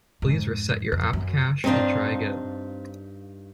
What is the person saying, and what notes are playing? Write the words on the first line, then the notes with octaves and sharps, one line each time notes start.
Please reset your app cache and try again.
F2 G#2
F2
F#2
G2 C4 D4 D#4 F4